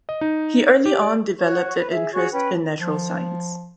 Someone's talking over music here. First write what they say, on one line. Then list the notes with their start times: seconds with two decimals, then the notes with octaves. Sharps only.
He early on developed an interest in natural science.
0.09 D#5
0.21 D#4
0.86 G4
1.02 D5
1.39 F#4 C#5 C#6
1.77 B4
1.91 G#4 E5
2.13 F#4 G#4 C#5 C#6
2.32 C#4 B4 G5
2.79 F3